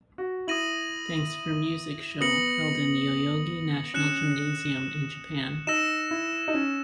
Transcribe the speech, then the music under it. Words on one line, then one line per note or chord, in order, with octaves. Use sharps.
Thanks For Music show held in Yoyogi National Gymnasium, in Japan.
F#4
E4 D#6 A#6 D#7 F#7
B3 D#6 A#6 C#7 F#7
C#4 F#6 C#7 E7
D#4 E6 A#6 E7
E4
D#4
C#4